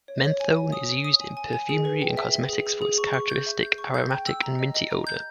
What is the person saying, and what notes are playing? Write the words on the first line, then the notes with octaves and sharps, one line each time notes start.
Menthone is used in perfumery and cosmetics for its characteristic aromatic and minty odor.
C#5
C#5
G#5
G#5
D#6
D#6
D#6
G#5
G#5
G#5
G#4
B4
G5
E5
E5
G#4
G#4
G#4
C#6
C#6
G6
E5
G6
C#6
G6
G5
E6
A#5
D#5
D#5
A#5
G6